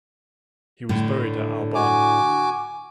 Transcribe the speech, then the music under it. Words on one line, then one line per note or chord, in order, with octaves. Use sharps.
He was buried at Arbonne.
A2 D3
F#4 G#5 D6